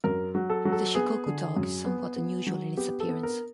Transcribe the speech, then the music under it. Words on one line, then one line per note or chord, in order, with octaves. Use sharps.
The Shikoku dog is somewhat unusual in its appearance.
F#2 A#4
F#3
A4
F#3
A4
B3 G#4
D3
F#2
B3
B3
F#3
B3 G4
A4
B3
A#4